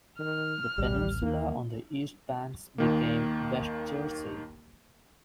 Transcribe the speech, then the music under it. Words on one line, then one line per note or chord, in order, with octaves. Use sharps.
The peninsula on the east banks became West Jersey.
D#3 F6
A1 D2 G3
D#2 A#3
D#2 D#3 A#3